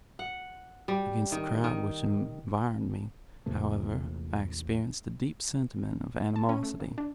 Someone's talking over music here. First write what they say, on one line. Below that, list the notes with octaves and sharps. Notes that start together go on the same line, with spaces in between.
Against the crowd which environed me, however, I experienced a deep sentiment of animosity.
F#5
G3
D#3
D#3
A#1 E2 C3 A3
A5
C#4
A3
A#2
D4